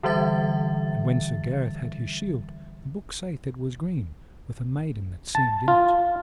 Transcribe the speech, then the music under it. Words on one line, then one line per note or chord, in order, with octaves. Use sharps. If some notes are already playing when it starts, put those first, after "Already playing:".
And when Sir Gareth had his shield, the book saith it was green, with a maiden that seemed in it.
D3 E3 G3 E5 A6
A5
F4